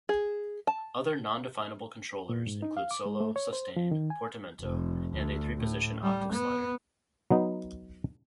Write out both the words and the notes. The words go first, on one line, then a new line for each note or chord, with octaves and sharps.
Other non-definable controllers include Solo, Sustain, Portamento and a three position octave slider.
G#4
A5
A#2
G#2
D#4
F5
D6
G#3
A3
C#5
C5
F3
D#3
G#5
F1
D2
A2
G3
B3
F#3 B3 D#4